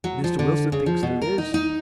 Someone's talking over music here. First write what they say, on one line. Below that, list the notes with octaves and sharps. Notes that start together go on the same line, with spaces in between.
Mr. Wilson thinks there is.
F#3
F3
D3
C#3
F3
B2
A#4
D#4
D#4